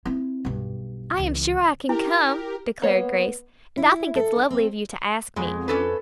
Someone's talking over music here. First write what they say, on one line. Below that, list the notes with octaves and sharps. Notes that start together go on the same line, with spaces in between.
"I am sure I can come," declared Grace, "and I think it's lovely of you to ask me."
C4 E4
B1 G2
C#2 E3
E4 G4 A#4
A#3 B3 C#5
E4
A4
D4
C4
F2 B2 G#3
C#4 A4 B4